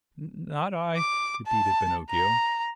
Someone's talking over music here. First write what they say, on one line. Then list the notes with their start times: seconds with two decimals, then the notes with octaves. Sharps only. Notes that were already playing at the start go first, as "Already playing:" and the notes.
"Not I," repeated Pinocchio.
0.97 D6
1.47 A5
2.11 A#5